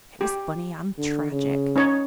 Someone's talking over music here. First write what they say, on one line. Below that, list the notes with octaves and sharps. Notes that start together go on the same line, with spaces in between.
It was funny and tragic!
G4
D3
C#3
C#4 D#4 C#5